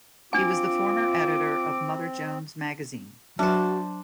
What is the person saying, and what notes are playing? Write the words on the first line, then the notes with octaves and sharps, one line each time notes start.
He was the former editor of Mother Jones Magazine.
C4 D4 F4 G#5 D6
F#3 D4 F#4 C5